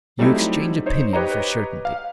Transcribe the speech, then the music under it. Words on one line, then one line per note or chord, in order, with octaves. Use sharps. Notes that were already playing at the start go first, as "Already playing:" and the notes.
You exchange opinion for certainty.
F#3 G3 A3 C4 D#4 E4
D#4 C5 C#5
G4 B4 C#5 D#5 A#5
F5